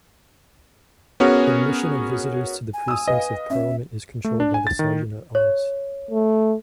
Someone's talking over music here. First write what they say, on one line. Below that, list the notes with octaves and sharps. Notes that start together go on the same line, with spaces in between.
Admission of visitors to the precincts of Parliament is controlled by the Serjeant-at-Arms.
B3 C#4 F#4 G#4 A#4 C#5
G#5
D#6 E6
B4 D#5 F5
C#4 E5
A3
D4
G#5
A6
D#3
C#5
A3